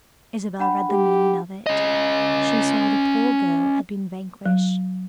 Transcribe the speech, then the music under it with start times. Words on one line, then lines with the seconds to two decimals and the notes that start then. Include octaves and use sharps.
Isabel read the meaning of it; she saw the poor girl had been vanquished.
0.59 D4 F#5 B5
0.90 G4
1.66 C#4 D#5
4.46 F#3